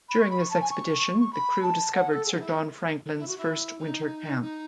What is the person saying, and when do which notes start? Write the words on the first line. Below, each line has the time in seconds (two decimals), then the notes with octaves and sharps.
During this expedition, the crew discovered Sir John Franklin's first winter camp.
0.09 B5
0.19 C#6
0.30 B5
0.40 C#6
0.50 A5
0.61 G#5
0.70 C#6
1.20 C#6
1.32 B5
1.62 A5
1.93 F#5
2.10 A4
2.25 G#4
2.33 D#4
2.40 E4
3.17 E4
3.27 F#4
3.37 E4
3.78 D#4
4.41 D#4